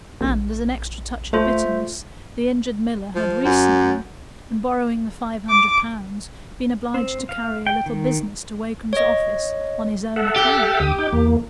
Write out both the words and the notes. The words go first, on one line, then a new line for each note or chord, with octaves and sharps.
And as an extra touch of bitterness, the injured miller had recently, in borrowing the five hundred pounds, been obliged to carry a little business to Wakem's office on his own account.
A#1
A3 F4 C5 E5
F3
F#2
D6
C4
F5
G5
D#3
C#5 D#5
A4 E5 F#5
G4
D2 D#6
D#4 G5
E2 A#3